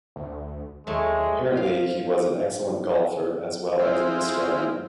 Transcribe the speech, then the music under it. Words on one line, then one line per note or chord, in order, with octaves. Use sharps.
Apparently he was an excellent golfer as well as an astronomer.
D2
D#2 F#3 G#3 A3
C5 F5
G#3 C4 E4 F4